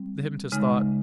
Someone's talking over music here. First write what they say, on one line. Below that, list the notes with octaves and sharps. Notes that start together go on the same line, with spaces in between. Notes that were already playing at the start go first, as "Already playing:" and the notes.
The hypnotist thought.
Already playing: G3 C4
C#3 G#3 D#4